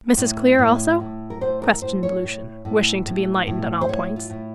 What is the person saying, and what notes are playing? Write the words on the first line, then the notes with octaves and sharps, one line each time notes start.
"Mrs. Clear, also?" questioned Lucian, wishing to be enlightened on all points.
A2
A2
A2
A#4
A2 C5
A#4
A2 C5
C#5
A2
A2
A2
A2
C5
A2 C#5
F4
A2